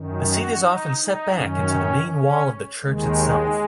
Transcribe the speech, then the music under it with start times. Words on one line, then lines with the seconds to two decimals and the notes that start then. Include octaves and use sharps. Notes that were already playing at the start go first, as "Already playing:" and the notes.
The seat is often set back into the main wall of the church itself.
Already playing: F#2 D#3
0.24 F#4
0.60 D#4
0.97 D#4
1.35 F#2 D#3 C#4
2.09 C#4
2.83 D#2 D#3 G#3